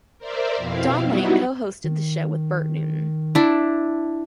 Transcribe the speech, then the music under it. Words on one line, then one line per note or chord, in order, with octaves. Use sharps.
Don Lane co-hosted the show with Bert Newton.
A#4 C5 D5 E5
F2 B2 C4 E4 F5
F#3 G3 B3 D#4 E4 F#4
D#3
D4 E4